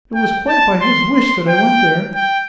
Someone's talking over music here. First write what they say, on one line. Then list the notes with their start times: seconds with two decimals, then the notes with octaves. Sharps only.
It was quite by his wish that I went there.
0.15 G5
0.48 A5
0.81 C6
1.14 C6
1.49 G5
2.15 G5